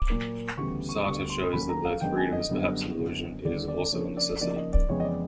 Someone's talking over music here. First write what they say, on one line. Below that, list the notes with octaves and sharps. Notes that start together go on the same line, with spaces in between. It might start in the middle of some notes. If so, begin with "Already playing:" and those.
Sartre shows that though freedom is perhaps an illusion, it is also a necessity.
Already playing: D6
A#2 F#3 A#3
D2 C#3 E3 G3 B3 C#6
C#6
D2 D3 G3 B3 C#6
C6
D#2 D#3 F#3 A#3 C#4 B5
A#5
F5
F#2 D#3 G#3 B3 D4 G5
G#5
D#5
F#2 D3 G3 B3 D4
F#2 D3 F#3 B3
D#2 D3 G3 B3 D5
D5
C#3 F3 A#3 D4 C#5
D5
C#3 F3 A#3 D#4 D5
D#5
D5
F2 C#3 E3 G#3 B3 C#5
D#5
D5